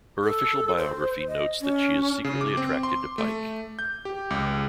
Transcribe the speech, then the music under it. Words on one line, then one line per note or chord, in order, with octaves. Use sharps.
Her official biography notes that she is secretly attracted to Pike.
A4
C5
D#5
C#4
C#3
D6
C4
C6
A3
G6
G4
C#2